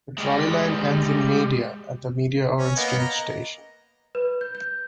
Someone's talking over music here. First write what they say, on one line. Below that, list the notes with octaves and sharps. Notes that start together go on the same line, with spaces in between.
The trolley line ends in Media at the Media-Orange Street station.
G3 G#3
C#4
A#3 B3 D#5
D#5 A#5
B4
G6
G6